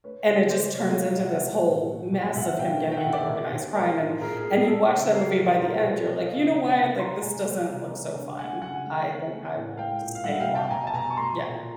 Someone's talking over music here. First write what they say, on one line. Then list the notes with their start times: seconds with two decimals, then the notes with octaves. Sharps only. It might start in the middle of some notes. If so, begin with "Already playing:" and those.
and it just turns into this whole mess of him getting into organized crime and and you watch that movie and by the end you're like, "You know what, like, this doesn't look so fun. I think I will stay normal." Yeah.
0.04 A3 B4 C#5
0.27 C#3 C#5 D#5
0.50 F#3 C5 D5
0.74 C3 C#5 D#5
0.96 A3 D#5 F5
1.20 B2 E5 F#5
1.43 G#3
1.66 A2
1.89 A3
2.12 B2
2.36 B2 E5 F#5
2.59 B2 F5 G5
2.82 A3
2.92 G5
2.97 E5 F#5
3.06 B2
3.13 D5 E5
3.29 B2
3.52 B2
3.75 A3 A#4 C5
3.99 A2
4.21 A#2 G#4 A#4
4.37 G#4
4.45 A#2
4.52 G#4
4.68 A3 A4
4.91 C#3
5.14 A3 G#4 A#4
5.38 A#2
5.61 B2 A#4 C5
5.84 B2 B4 C#5
6.07 A3 C#5 D#5
6.18 D#5 F5
6.30 C#3 D#5 F5
6.42 D#5 F5
6.53 G#3 E5 F#5
6.77 C3 A5 B5
6.99 A3 A#5 C6
7.23 B2 G#5 A#5
7.46 G3
7.70 C3
7.93 G#3
8.16 D3
8.39 A3 F#5 G#5
8.62 C#3 F#5 G#5
8.86 G#3
9.09 C#3
9.32 A3
9.55 A2
9.77 G#3 F5 G5
10.01 A#2
10.15 F5
10.24 G3 E5 F#5
10.40 F5 G5
10.48 C3
10.55 G5 A5
10.70 B2 G#5 A#5
10.87 A5
10.94 B2 G#5 A#5
11.10 C#6
11.17 A3 A#5 C6
11.41 A#2